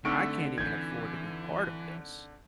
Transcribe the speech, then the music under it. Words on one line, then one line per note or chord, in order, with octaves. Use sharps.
I can't even afford to be part of this,
D3 A3 C4 D#4 F#5 C#6 E6 D7
E3 G6 G#6